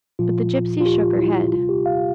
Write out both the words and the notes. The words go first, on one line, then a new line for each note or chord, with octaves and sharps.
But the gipsy shook her head.
A#2 F3 F4
F4
G4
E4
C3 G3 F4
G4
F5